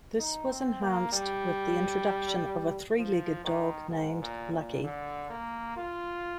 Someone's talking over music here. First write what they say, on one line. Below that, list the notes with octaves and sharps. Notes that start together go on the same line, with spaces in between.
This was enhanced with the introduction of a three-legged dog named Lucky.
D#4
C4
A#3
G3
F3
D#3
G#2
A#2
A#2
D3
A#3
F4